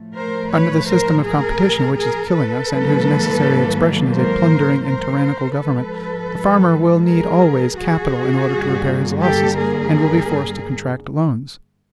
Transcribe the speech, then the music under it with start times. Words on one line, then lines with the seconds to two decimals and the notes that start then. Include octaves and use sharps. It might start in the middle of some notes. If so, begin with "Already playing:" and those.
Under the system of competition which is killing us, and whose necessary expression is a plundering and tyrannical government, the farmer will need always capital in order to repair his losses, and will be forced to contract loans.
Already playing: A2 F3 A3
0.15 A#4 C5
0.51 B4 C#5
0.88 A#4 C5
1.24 G#4 A#4
1.97 G#4 A#4
2.33 A4 B4
2.69 G#2 D#3 F#3 A#3
4.14 A#4 C5
4.87 A#4 C5
5.59 G#2 F3 G#3 A4 B4
7.04 G#4 A#4
7.76 F#4 G#4
8.49 G2 D3 G3 A#3
9.21 G4 A4
9.57 G#4 A#4